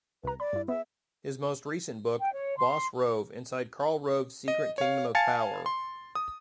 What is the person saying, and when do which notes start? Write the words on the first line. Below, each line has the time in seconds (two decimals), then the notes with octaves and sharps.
His most recent book "Boss Rove: Inside Karl Rove's Secret Kingdom of Power".
0.24 C2 B4 A#5
0.40 D5 B5
0.53 G2 E4
0.68 B3 G#4 E5
2.19 G5
2.32 C#5
2.58 C6
4.48 D#5
4.78 C#5 F5
5.15 F5 G#5 A5 A6 C#7
5.66 C6
6.15 D#6